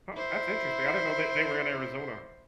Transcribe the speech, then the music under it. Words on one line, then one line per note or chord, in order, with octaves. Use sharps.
Huh, that's interesting. I didn't know that they were in Arizona.
E4 C5